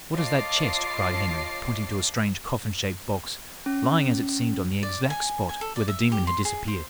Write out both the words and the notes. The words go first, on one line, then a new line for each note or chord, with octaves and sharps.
"What is that chest?" cried Henry, pointing to a strange coffin-shaped box, lying, as it seemed, on the exact spot where the demon had disappeared.
F4 C#5 D#5 A5 D6 C7
C#4
D5
G#5
G#5
A4
D5
E5
G4
C6
G#4
C5